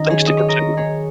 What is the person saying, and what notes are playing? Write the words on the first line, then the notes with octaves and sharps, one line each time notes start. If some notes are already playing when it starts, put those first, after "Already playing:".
things to consider.
Already playing: D#3 F#3 C#4 A#4 D#5
G#4 C#5
D#5
C#5
A#4 D#5
G#4 C#5